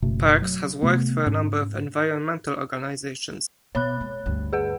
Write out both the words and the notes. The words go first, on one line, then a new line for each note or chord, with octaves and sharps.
Perks has worked for a number of environmental organizations.
F#1 B2 A3
F#3
C3 A3 B3
G#2 C#4
B2 B3 C#5 B5 F#6
G#3
D2 G2
G#4 B4 F#5